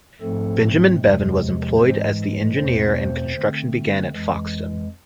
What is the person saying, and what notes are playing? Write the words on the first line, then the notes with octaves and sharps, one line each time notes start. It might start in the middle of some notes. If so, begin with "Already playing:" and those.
Benjamin Bevan was employed as the engineer and construction began at Foxton.
G#2 F3 A3 C4 A4
E2 C3 F3 G#3
G#2 E3 G#3 C4 C5
E2 B2 A3 C4 C5
D3 A3 C4
F2 E3 G#3